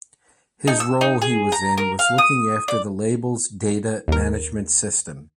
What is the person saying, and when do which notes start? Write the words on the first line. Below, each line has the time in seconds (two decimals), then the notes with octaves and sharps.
His role he was in was looking after the labels data management system.
0.67 D#4
0.80 E6
1.01 D#4
1.21 G#4
1.52 A#5
1.77 A#4
1.99 F5
2.18 D#6
2.68 D5
4.08 D#2 A#4